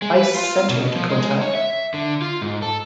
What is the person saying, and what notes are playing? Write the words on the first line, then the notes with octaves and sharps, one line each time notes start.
Ice Center, Dakotah!
G#3
B4
F4
B2
F3
G#3
C#5
E5
D3
F4
G#2
A4